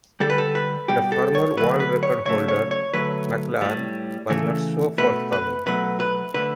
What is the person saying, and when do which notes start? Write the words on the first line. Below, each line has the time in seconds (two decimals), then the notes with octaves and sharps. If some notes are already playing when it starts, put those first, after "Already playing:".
The former world record holder MacLaren was not so forthcoming.
0.20 D3 G3 A4
0.30 B4
0.38 A4
0.55 B4
0.88 B2 G3 G4
1.12 A4
1.35 C#5
1.57 D3 F#3 A3 B4
1.80 B4
2.03 C#5
2.25 C#3 F#3 A3 C#5
2.48 C#5
2.71 C#5
2.94 D3 F#3 A3 B4
3.62 A2 G3
4.30 C#3 E3 A3
4.98 B2 A3 B4
5.32 B4
5.66 B2 F#3 A3 B4
6.00 B4
6.34 D3 A3 B4